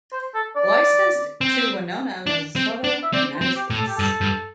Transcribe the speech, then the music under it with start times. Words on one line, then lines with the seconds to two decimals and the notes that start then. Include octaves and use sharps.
Licensed to Winona, Minnesota, United States.
0.12 C5
0.34 A4
0.56 D5
1.41 C4
2.27 D4
2.56 C4
2.84 D4
3.03 E5
3.13 C4 D5
3.35 C5
3.41 C4
3.56 G4
3.70 A2
3.78 A4
3.87 G4
3.96 G2 A4
4.21 G2